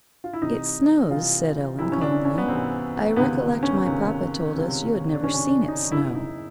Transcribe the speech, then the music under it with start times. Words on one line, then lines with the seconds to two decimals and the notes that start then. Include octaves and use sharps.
"It snows," said Ellen, calmly; "I recollect my papa told us you had never seen it snow."
0.24 F4
0.33 E4
0.42 C2 C3 E3 D#4
1.10 C2 C3 E3 F4
1.79 C2 C3 E3 E4
1.92 C#4
2.01 D4
2.25 C#4
2.38 B3
2.48 C2 C3 E3 C4
3.16 C#2 C3 D#3 B3
3.63 C#4
3.86 C#2 C3 D#3
4.55 C#2 C3 D#3
5.14 D4
5.23 C#2 C3 D#3 C#4
5.34 C#4
5.47 D4
5.68 D#4
5.91 F#1 E2 C#3 E4
6.15 D#4